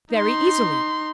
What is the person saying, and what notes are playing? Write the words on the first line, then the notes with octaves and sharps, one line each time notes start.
"Very easily."
D#4 C6